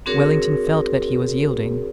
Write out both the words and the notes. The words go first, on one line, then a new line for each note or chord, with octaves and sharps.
Wellington felt that he was yielding.
C4 D4 F#4 G#4 A#4 C#5